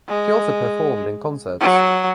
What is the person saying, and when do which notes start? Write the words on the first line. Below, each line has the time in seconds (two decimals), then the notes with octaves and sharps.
She also performed in concerts.
0.08 G#3
1.61 F#3